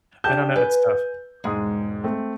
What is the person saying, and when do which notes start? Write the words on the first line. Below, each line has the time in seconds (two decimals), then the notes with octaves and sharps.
I don't know. It's tough.
0.24 D4 G4 A5 G6
0.56 B4 G#5
1.44 E1 G#2 G#3 D#6
2.04 A3 C4